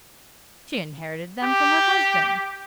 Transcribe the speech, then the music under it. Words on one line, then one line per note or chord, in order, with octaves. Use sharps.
She inherited them from her husband.
G4